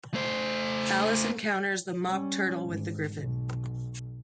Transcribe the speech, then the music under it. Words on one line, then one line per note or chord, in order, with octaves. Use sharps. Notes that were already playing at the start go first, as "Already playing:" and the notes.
Alice encounters the Mock Turtle with the Gryphon.
A3 C5
G3 C#4
G#1
B1